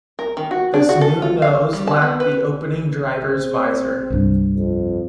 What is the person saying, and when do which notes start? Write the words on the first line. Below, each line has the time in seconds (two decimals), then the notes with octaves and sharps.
This new nose lacked the opening driver's visor.
0.19 A#4
0.37 D#3
0.51 F#4
0.74 D4
0.89 F#4
1.01 A4
1.22 F4
1.42 F5
1.73 G3
1.87 A5
2.02 B3
2.20 B4
3.29 C4
4.10 C2 G2
4.55 F2